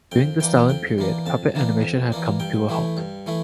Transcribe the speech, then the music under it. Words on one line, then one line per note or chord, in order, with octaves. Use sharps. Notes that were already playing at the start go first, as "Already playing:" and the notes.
During the Stalin period, puppet animation had come to a halt.
F2 G5
E3 A#3 D4 G5
F2 G5
E3 A#3 D4
F2 A5
E3 A#3 D4
F2
E3 A#3 D4
G2 G5
E3 A3 E4
G2
E3 A3 E4